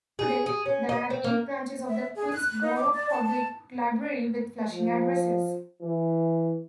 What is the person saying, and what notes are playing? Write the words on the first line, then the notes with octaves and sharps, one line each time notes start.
Today, there are eight branches of the Queens Borough Public Library with Flushing addresses.
G#4
G#4
C#4
D#5
C4
A#3
E5
G#4
F#6
F#6
D#4
D6
D5
A5
A5
F3
E3